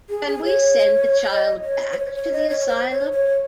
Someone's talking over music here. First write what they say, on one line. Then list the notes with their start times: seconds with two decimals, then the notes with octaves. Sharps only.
Can we send the child back to the asylum?
0.09 G#4
0.27 G#4
0.45 C#5
1.30 D#5
1.64 C#5
1.92 C5
1.98 C#5
2.15 C#5
2.33 D#5
2.50 C#5
2.60 C#5
2.67 C5
2.90 C#5
3.12 C#5